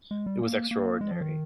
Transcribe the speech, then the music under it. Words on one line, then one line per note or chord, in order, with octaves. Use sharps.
It was extraordinary.
G#3
G3
A#3
A#3
G#3
F3
D#3